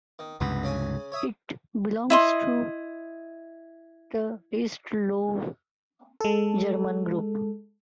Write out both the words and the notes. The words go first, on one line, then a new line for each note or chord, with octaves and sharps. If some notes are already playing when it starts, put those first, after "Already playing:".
It belongs to the East Low German group.
D#3
C#2 G2 C3 B3
C#3 C#4 G#5
C#5 E5 D#6
E4 D#5 C6
G#3 A4